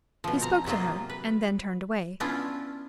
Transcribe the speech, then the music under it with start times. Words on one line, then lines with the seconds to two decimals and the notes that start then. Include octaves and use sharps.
He spoke to her, and then turned away.
0.24 B2 F3
0.41 C4 A#5
0.66 C3 F#3 A#3 F4 D#5
1.09 B4
2.20 B3 C#4 D4 E4 F4